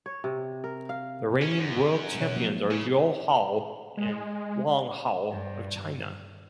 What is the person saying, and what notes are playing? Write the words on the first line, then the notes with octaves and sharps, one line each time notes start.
The reigning World Champions are Liu Hao and Wang Hao of China.
C#5
C3
A#4
F5
C#4
F#2
B2 C#5
F3 F#3 A#3
C#3
G#3
G2